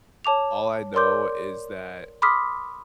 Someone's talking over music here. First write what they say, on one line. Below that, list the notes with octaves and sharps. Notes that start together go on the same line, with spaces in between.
all I know is that
C#5 A5 D6 F7
A#4 C#5 D5 C6 D6 G6
B5 C6 D6 D#6 F6 B6